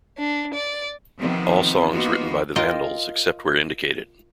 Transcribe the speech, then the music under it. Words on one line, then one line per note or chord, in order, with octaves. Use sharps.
All songs written by The Vandals except where indicated.
D4
D5
C3 D#3 F3 B3 C4
E3 A#3 B3 D#4 F4 F#4
F4 A#4 D#5 F5 G5